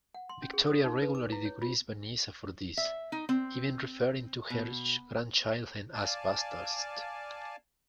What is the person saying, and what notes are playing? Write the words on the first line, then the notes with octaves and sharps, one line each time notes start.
Victoria regularly degrades Vanessa for this, even referring to her grandchildren as "bastards".
F#5
C6
C#4
G#4
D#6
D#4
B4
D6
E4
C#5
F4
E5
D#4
C4
B2
D5 F5 G#5 A5